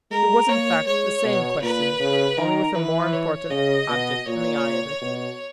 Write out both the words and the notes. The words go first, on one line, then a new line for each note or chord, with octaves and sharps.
It was, in fact, the same question, only with a more important object in the eye of it.
G#3 A#4
A#3 C#5
G#3 C#5
B2
A#2 B4
C#3
D#3 A#4
E3 B4
C#5
C#3 D#5
B2
A#2 C#5
B2